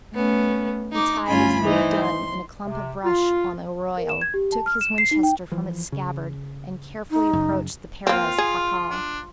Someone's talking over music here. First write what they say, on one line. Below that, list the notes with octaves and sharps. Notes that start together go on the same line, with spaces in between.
He tied his big dun in a clump of brush on the arroyo, took his Winchester from its scabbard, and carefully approached the Perez /jacal/.
A3 B3 C#4
D#4 D6
D2 G2 C#4 F4 G#5 B5
E3 D#4 C5
C6
C3
F4
A#4
E7
G#6
G4
A5
F6
E7
C7
D#4
G5
E3 F3
C#3
D#4
F#2 C#3
A#3 C4 F4 F5
G#4
D4